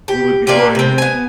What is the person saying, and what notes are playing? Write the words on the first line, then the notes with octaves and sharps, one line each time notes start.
we would be going
G4
A#3 D4 F4 G4
C3 C4
B3 G#5